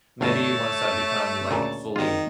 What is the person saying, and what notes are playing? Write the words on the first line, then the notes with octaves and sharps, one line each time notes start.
maybe once I become like fully
G1 D2 A3 C#5 F5 A5
D2 A#2 C#3
G#1 D2 D#3 F4